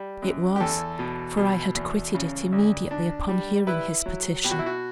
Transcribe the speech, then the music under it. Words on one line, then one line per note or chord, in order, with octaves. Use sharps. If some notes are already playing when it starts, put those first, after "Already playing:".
It was, for I had quitted it immediately upon hearing his petition.
Already playing: G3
F#2
G4
E2 A4
B2
B2
E2
C#3
D2
D4
G3
E4 B4
F#3
B2 G4
F#4
E4
F#4